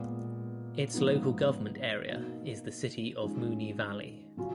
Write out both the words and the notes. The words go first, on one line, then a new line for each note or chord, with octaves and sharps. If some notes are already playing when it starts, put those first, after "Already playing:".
Its local government area is the City of Moonee Valley.
Already playing: A#2 G#3 B3
G#2 F3 B3 D#4
B2 A#3 D#4
D#3 G#3 C#4 F4
C#3 F#3 C#4 F4